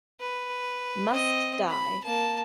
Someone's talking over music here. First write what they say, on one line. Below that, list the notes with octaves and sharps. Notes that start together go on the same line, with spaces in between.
Must Die!
B4
C4 D#5
B5
A#3 A5